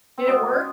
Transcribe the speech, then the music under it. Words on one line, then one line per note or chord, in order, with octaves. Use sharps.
Did it work?
C4
B2 G#3 B3
C#4